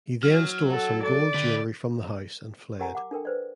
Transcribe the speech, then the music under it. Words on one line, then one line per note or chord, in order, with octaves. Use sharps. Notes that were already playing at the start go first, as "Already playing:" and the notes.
He then stole some gold jewellery from the house and fled.
F#3 F6
A4 F#5
A4 D5
D3 G4 B4
G4 A#4 F#5 G#5 A#5
F#5 D6
D4 A4 A#4 G5
B4 C5 D5